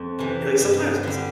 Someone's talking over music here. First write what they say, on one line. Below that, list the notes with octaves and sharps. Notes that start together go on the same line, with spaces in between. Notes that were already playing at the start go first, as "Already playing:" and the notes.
yeah, like, sometimes it's
Already playing: F2
C3 E3
G2
D3 G3